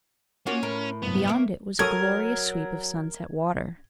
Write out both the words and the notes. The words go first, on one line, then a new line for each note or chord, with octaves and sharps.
Beyond it was a glorious sweep of sunset water.
A#3 C#4 F4 F#4
A2 A#4
G2 C3 F#3 B3
A#3 C#4 E5
F#3 A4 A#4 C#5 D#6 G#6